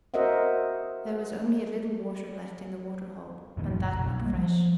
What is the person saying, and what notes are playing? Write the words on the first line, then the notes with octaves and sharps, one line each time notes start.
There was only a little water left in the water-hole, and that not fresh.
F#4 A#4 C5 D#5 E5 F#5
F2 A#2 D#3
F#1
B1
G3 A#3
F3